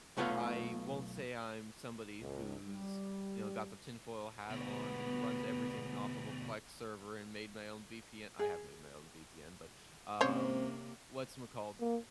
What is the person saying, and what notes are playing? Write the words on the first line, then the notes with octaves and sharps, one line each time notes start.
I won't say I'm somebody who's, you know, got the tinfoil hat on and runs everything off of a Plex server and made my own VPN. I have made my own VPN, but, um, what's mccalled?
B1 A3 B3 F4 C#5 F5
C#2
G3
D2 B2 B3
G#4
C3 A#3 C4 C#4 C5 C#5
A#3